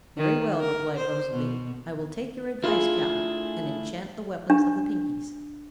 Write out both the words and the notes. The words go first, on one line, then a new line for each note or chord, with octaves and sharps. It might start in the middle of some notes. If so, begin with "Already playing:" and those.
"Very well," replied Rosalie; "I will take your advice, Cap'n, and enchant the weapons of the Pinkies."
D#3
A#4
C5
B2
A3 D4 E4 F4 G#4
D4